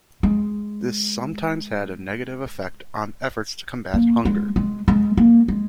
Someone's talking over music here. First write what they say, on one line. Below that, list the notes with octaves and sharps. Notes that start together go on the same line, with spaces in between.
This sometimes had a negative effect on efforts to combat hunger.
G#3
A#3
G#3
G#3
G#3
A#3
G#3